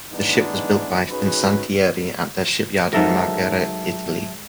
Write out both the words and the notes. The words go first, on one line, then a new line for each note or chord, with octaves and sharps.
The ship was built by Fincantieri at their shipyard in Marghera, Italy.
E3 G#3 A3 B3 D4 D#4
C#4 D#4 F#4 G#4 B4
G#2 F#3 A4 A#4 E5 A5